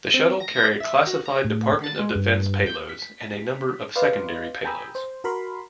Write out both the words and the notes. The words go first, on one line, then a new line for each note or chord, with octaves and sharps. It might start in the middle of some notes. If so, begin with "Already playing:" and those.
The shuttle carried classified Department of Defense payloads and a number of secondary payloads.
C4
A#6
E5
F#4
A#5
A2
A6
G#3
G2
G6
B6
B4 D5 D#5 F5 C6
G5 G#5 A#5 B5 D#6 E6
C5
F#4 A#4 B5 C6